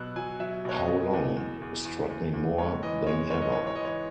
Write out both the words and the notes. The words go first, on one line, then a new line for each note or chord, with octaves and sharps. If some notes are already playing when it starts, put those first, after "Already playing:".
'How Long' struck me more than ever.
Already playing: B2 F#3 E6 F#6
F#3 G#5
F#3 E5
B2 C#5
D#5
B2
E2
E2
E2
E2
E2
E2
G#2 C#5
E3 D#5
G#3 C#5
G#2 C#5
D#5
E3 C#5
C#5
E3 D#5
C#5